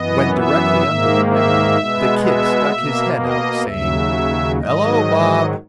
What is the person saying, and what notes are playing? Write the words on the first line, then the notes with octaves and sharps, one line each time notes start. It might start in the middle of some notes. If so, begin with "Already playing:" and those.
When directly under the window, the "Kid" stuck his head out, saying: "Hello, Bob!"
Already playing: F#2 E3 B3 D#5
E5
G#2 D#3 A#3
E5
B2 G#3 B3
E5
B2 A#3
D#5
D#2 C#3 F#3 E5
G#2 D#3 F#3 D#5